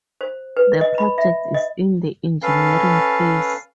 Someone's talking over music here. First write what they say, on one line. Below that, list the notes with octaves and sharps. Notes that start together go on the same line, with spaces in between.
The project is in the engineering phase.
C5
B4
D#5
B5
E5
D#5
C#4 A4 B4 F5